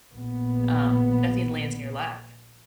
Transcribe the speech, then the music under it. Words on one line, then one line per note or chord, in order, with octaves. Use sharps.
Um, nothing lands in your lap.
A#1 B3